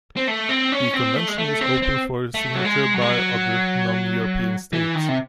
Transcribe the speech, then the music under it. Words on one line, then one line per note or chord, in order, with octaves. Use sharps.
The Convention is open for signature by other non-European states.
C4
A3
C4
C#4
C4
A3
G#3
A3
C4
C4
A3
F#3
G#3
F#3
G#3
F#3
E3
D#3
C3